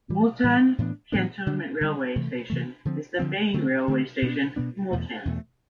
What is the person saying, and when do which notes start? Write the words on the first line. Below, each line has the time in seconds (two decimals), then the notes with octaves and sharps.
Multan Cantonment railway station is the main railway station of Multan.
0.09 A2 E3 G3
0.43 A2 E3 G3
0.78 A2 E3 B3 D4
1.12 A2 E3 B3 D4
1.47 D3 G3 D4
1.81 D3 G3 D4
2.16 C3 E3 A3
2.50 C3 E3 A3
2.85 D3 F3 C4
3.19 D3 F3 C4
3.54 D3 A3 C4
3.88 D3 A3 C4
4.22 B2 B3 D4
4.56 B2 B3 D4
4.91 E2 B2 A3
5.25 E2 B2 A3